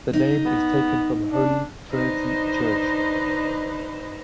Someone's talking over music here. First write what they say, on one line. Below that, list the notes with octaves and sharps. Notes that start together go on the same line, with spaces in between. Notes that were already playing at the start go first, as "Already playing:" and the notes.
The name is taken from "Holy Trinity Church".
D#4
B3
D4
D3 D#4 B4 C5 D#5